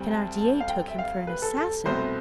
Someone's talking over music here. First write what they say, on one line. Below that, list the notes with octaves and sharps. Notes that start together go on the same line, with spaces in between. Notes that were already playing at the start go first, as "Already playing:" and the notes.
Thenardier took him for an assassin.
Already playing: D2 G3 C4
A5
A5
F5
G5
E5
F5
B4
A4
A4
C2 B2 A3 C4 C5